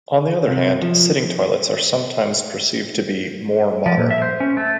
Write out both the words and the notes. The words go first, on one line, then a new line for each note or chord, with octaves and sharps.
On the other hand, sitting toilets are sometimes perceived to be "more modern".
C3
F3
F3
A#2
E5
C5
C#4
A3